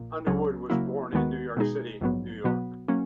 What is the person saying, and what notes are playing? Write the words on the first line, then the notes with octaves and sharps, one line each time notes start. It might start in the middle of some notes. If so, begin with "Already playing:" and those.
Underwood was born in New York City, New York.
Already playing: A#1 A#2
C#2 C#3 F#3 C#4
C#3 F#3 A#3 E4
D#2 D#3 G#3 B3 F#4
B2 G#3 D#4 G#4
A#1 G#2 F#3 B3
B2 F#3 B3 F#4
F#3 A#3 C#4